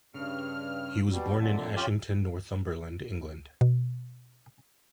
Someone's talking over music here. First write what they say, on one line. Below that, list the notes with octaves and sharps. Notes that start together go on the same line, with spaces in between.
He was born in Ashington, Northumberland, England.
G2 C#3 F6
B2 G3
F2 A#2 D3 A4 E5
C#4 F4 G4
B2